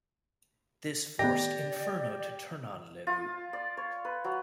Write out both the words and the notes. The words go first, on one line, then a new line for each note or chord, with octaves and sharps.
This forced Inferno to turn on LeRoux.
A2 D#3 B3 G4 D5 A#6
F4
D5
C#5
B4
F#3